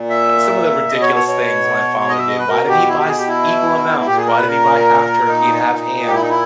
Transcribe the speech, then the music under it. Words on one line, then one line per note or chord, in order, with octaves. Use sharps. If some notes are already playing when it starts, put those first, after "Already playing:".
uh, some of the ridiculous things my father did. "Why didn't he buy s equal amounts? Why didn't he buy half turkey and half ham?
Already playing: A#2
E5
B2 D#5
C#5
C#5
C#5
D#5
E5
D#5
B4
B2 A#4
G4
E4
G4
G#4
G4
E4
E4
A#2 G4
G#4
A#4
B4
A#4
D#4
A#2
G4
E4
D#4
E4